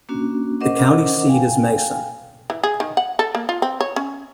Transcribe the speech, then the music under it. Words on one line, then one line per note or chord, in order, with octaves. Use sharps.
The county seat is Mason.
A#3 C#4 D4 F#4
C#4 A#4 C5 D#5 F#5 D6
F5 G5 G#5
E3
G#4
D#3
F#5
A4
A#3
F4
C4
C#5
C#4